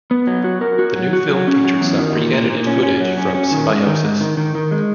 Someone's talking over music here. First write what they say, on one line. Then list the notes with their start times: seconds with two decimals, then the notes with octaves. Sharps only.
The new film featured some re-edited footage from "Symbiosis".
0.11 B3
0.27 F#3
0.44 F#4
0.61 A#4
0.79 F#4
0.96 F#3
1.13 F#4
1.30 F#3
1.48 C#4
1.64 F#3
1.81 E2
1.98 D#3
2.16 A#2
2.33 A#2
2.50 A#2
2.67 C#4
2.83 C#4
3.01 F#3
3.17 C#4
3.35 C#4
3.52 D#3
3.69 G#2
3.86 D#3
4.04 G#2
4.21 D#3
4.37 D#3
4.55 D#3
4.71 G#3